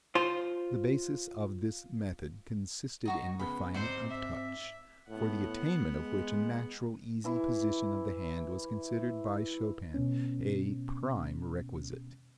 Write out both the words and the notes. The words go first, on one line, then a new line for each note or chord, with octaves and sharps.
The basis of this method consisted in refinement of touch, for the attainment of which a natural, easy position of the hand was considered by Chopin a prime requisite.
F4 C5
D#4 F#4 C#6
C#3 G#3 B3 B5
G#2 C4 C5 D5 F#5
E5
A2 B3 F#5
G#3
E3 E4
B2 B3 C#4